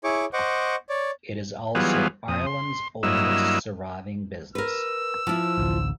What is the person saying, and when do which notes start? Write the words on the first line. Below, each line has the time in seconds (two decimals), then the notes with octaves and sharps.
It is also Ireland's oldest surviving business.
0.04 E4 G#4 C#5 C#6 D6
0.33 C5 D#5 F#5 C#6 D6
0.89 C#5 D5
1.75 E3 F#3 G3 B3 F4 G#4
2.28 F2 D#6
2.46 C6
3.03 G2 F#3 A#3 E4 D#5 E6
4.55 A#4 B4 E6
5.27 F3 E4
5.58 A1 D2